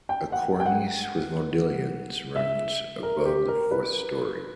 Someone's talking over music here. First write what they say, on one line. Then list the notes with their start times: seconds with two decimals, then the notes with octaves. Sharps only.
A cornice with modillions runs above the fourth story.
0.09 G5
0.32 F#5
0.60 G5
0.66 F#5
2.36 E5
3.03 A#4
3.25 G4
3.48 A#4
3.71 B4